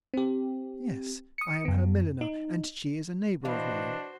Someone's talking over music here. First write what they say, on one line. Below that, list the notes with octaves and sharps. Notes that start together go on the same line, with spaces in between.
"Yes, I am her milliner, and she is a neighbour of mine."
C4 G4
D#6 C#7
F#2 B3
D#4
B2 E3 D4 F#4 C5 D#5 F5